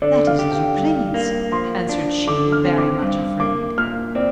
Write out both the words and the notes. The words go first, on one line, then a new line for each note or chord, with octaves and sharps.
"That is as you please," answered she, very much afraid.
D3 D5
F5
G4
G5
G2
A#3
F3 C6
D4
D3 D6
F6
C4
D6
G2 D6
A#3 D6
A#2 F6
C4 D5